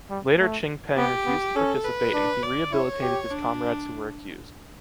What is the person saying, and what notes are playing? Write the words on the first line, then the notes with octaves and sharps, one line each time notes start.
Later Ching Peng refused to participate and he rehabilitated his comrades who were accused.
G3
A3
B3 G4
B3
C#4 A4
B4
D4
D5
E4 C#5
G4
D4